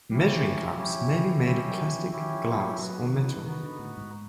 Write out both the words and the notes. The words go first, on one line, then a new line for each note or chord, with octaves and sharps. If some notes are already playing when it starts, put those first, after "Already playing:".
Measuring cups may be made of plastic, glass, or metal.
F#3 C#4 E4 G4
F#3
F3
F#3 C#4 E4 G4
F3
E3
F3
G3 C#4 E4 G4
F3
F#3
F3
E3
D#3 C#4 E4 G4
F3
F#3
F#3 B3 D#4 F#4 B4
D#3
D#3
E3
D#3 B3 D#4 F#4 B4
D3
A2
G#2